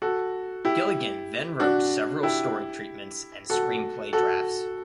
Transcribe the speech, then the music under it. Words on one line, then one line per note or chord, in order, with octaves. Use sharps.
Gilligan then wrote several story treatments and screenplay drafts.
F#4 A4
E4 G4
D4 F#4
E4 G4
F#4 A4
F#4 A4